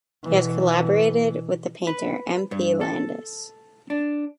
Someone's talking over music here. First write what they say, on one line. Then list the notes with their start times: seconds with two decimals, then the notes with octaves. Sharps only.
He has collaborated with the painter M. P. Landis.
0.24 B2 E3
1.87 B4
2.51 G2
2.81 A4
3.90 D4